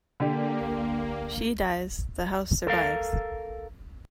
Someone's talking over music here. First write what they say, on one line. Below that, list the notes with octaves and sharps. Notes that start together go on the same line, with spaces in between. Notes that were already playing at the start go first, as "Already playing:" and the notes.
She dies, the house survives.
D3 A#3 D4 G4
A4 A#4 F5